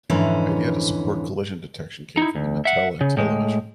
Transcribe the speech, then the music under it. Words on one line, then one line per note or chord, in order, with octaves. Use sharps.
The idea to support collision detection came from the Mattel Intellivision.
F2 G#2 D3 E3 C#4
D#4 E4
D2
E5 F#5
C#3
A2 G#3